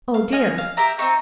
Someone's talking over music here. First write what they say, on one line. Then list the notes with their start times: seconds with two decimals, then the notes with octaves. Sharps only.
Oh, dear!
0.14 F5
0.32 D#5 G#5 F6
0.58 F5
0.77 G4 A#4 E5 A#5
0.98 C4 D#4 C#6 G6